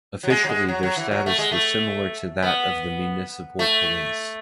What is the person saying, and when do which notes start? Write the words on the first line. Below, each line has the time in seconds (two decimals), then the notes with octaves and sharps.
Officially their status was similar to that of the Municipal Police.
0.23 F#3
0.30 G#3
0.44 F#3
0.49 G#3
0.68 F#3
0.83 F#3
0.97 E3
1.11 F#3
1.26 A3
1.39 G#3
1.52 A3
2.42 B3
3.59 A3